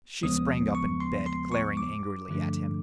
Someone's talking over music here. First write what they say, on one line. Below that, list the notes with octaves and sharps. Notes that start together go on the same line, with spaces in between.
She sprang up in bed, glaring angrily at him.
D#2 C#3 F3 G#3 B3 D#6
C#6
C6
C6
C#6
D6
G2 D3 F3 A3 D4